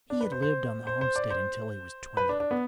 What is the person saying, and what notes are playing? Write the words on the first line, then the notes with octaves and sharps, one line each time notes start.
He had lived on the homestead until he was twenty.
D4
B4
C5
C5
C5
C5
D5
C5
B4
D4
D4
B3